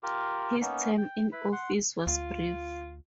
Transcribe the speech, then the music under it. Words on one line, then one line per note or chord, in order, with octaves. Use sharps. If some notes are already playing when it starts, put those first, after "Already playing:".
His term in office was brief.
F4 G4 A#4
A#3 B3 C#4 D#4
G5
E4 B4 B5
F#5 C6
D2 F4